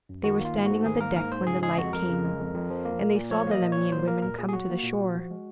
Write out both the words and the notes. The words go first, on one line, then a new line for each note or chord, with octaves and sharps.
They were standing on the deck when the light came, and they saw the Lemnian women come to the shore.
F#2
D#3 F#4
A#3
F4
G#2
G#2 F#4
D#3 G#4
A#3 A#4
G#2 A#4
G#2 C5
C#3 G#4
G#3 G#4
F2 F#4
F2 A#4
C#3
G#3
F2
F2
F3
A#3
A#2
A#2
F3 C#5
A#3 D#5
A#2
A#2 C#5
F#3 C5
A#3 A#4
A#2 A#4
A#2 G#4
G#4
F#3 F#4
A#3
A#2
A#2
F3
G#3